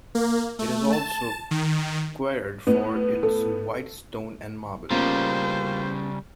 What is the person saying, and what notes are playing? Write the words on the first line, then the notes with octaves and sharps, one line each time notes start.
It is also quarried for its white stone and marble.
A#3
A3
A5
D#3
A2 B3
A4
C#3 G3 A#3 B3 C#4 F4 C5